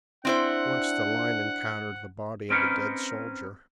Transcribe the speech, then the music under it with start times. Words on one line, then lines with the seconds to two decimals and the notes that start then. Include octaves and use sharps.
Once the line encountered the body of a dead soldier.
0.25 C4 D4 E4 C5 F#5
2.50 C4 C#4 D#4 A#4 B4 C#5